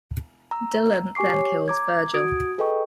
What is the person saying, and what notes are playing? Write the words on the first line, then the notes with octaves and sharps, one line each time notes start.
Dylan then kills Virgil.
A#5 E6
G4 G#5 C#6 D6 C7
C#5
A#5 D6 G#6
F#4 D#6 G#6 D7
G#4 A4 B4 D#5 G5 C#6